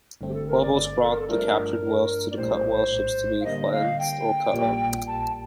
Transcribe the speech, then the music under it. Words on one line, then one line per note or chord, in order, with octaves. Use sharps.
Whaleboats brought the captured whales to the whaleships to be flensed or cut up.
G1 G2 D3 A3 C4
G4
A4
A#4
D5
D5
A4
A#4
A4
G2 F3 A3 D4 A#4
D5
A#1 A2 G3 C5
F5
D3 G3 A#3 D#5
F5
G5
A#1 A#2 G3
A5